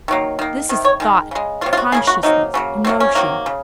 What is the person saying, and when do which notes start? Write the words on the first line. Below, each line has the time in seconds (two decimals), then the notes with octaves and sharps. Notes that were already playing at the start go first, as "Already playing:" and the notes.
This is thought, consciousness, emotion.
0.08 D#3 F#3 A#3
0.39 D#3 A#3
0.69 C3 D#3
0.85 C#5
1.00 D#3 G#3
1.31 C#3 G#3
1.61 C3 F#3 A#3 F4
1.73 F4
1.77 F#4
1.92 C#3 F3 A#3 G#4
2.07 F#4
2.23 C3 F#3 A#3 D#4
2.54 C#3 F#3 A#3
2.85 C3 F#3 A#3 C4
3.00 C#4
3.15 C3 D#3 F#3 A#3
3.46 C#3